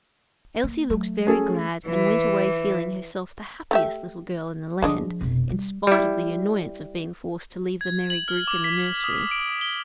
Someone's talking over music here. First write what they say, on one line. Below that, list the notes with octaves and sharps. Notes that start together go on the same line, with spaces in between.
Elsie looked very glad, and went away feeling herself the happiest little girl in the land, in spite of the annoyance of being forced to leave the merry group in the nursery.
A#3
F#3 A3
C#4 G#4 A4
E3
A3 G4 E5
F3 G#3 D4 D#5
F1 B2
G3
G3 E4
G#6
F#7
F6
D6
B6
D#6
D7
G7